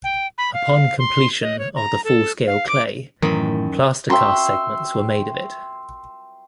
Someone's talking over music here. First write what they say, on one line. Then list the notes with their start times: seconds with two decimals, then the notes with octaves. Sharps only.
Upon completion of the full scale clay, plaster cast segments were made of it.
0.04 G5
0.38 B5
0.54 F5
0.99 C6
1.42 D#5
1.59 C#5
1.75 A#5
2.04 A4
2.47 F5
2.68 D6
3.22 F#2 A2 D#3 E3 B5
4.10 E5 G5 C6 C#6